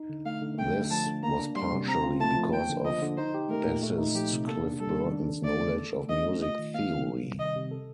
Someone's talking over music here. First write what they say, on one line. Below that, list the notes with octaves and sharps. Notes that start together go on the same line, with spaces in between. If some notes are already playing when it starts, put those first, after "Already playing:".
This was partially because of bassist Cliff Burton's knowledge of music theory.
Already playing: D#4
D3
A3 F5
D3
A3 G5
D4
F3 A5
D3
A#3 A#5
D4
G3 C6
C3
C4 A#5
F4
A3 A5
F3
A#3 G5
D3
F3 D#5
D3
D#4 C5
G4
A3 A#4
A#2
A3
D#4
F3 G4
C3
A#3 A4
D4
G3 A4
D#3
D4
A4
A3 D5
D3
A4
A3
D4 D#5
A3
F4 D#5
D#3
A#3 F5
D#3
G3
C3
D#3 D#5
C3
A4